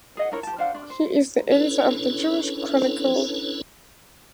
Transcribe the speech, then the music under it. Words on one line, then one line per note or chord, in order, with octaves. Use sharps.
He is the editor of "The Jewish Chronicle".
G#4 D#5 F#5
D4 E4 A#4 C#5
G4 A5
D4 C5 F5 F#5
D4
C5
C#4 D4 E4 A4 B4 C#5